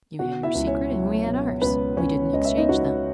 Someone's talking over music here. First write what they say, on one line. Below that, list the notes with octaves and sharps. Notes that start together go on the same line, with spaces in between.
You had your secret and we had ours; we didn't exchange them.
B2 F#4 F#5
E4 E5
C#2
C#4 C#5
F#3
B2
C#2 B3 B4
C#2 C#4 C#5
C#2 D#5
E5
D#4 D#5
C#2 F#4 F#5